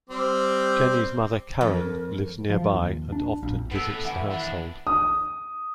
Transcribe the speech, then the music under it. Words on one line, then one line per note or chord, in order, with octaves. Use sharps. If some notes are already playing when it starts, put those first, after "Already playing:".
Jenny's mother Karen lives nearby and often visits the household.
G3 C4 D6
F2 A#4
F3
D#2
D4
A#1
A2 B3 A4
E3 E4 F#5
D#2 D4
D#6